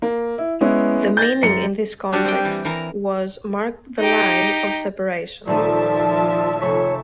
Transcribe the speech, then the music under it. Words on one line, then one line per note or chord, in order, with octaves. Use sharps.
The meaning in this context was "marked the line" of separation.
A#3
E4
G#3 B3 C#4 E4
G6 A6 A#6
F#2 C#7
G3 D4 F#4
C4 G5
E3
E3 A#4 A#5
D#4 G4
D#1 F3 A3 D#4 D5 E5 A5
F1 C#5 C#6 B6